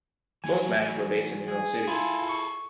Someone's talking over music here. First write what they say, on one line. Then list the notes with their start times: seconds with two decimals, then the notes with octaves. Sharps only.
Both bands were based in New York City.
0.44 E3 F#3 G#5
1.47 G#4
1.87 E4 F4 G#4 A4 G#5
2.29 C#6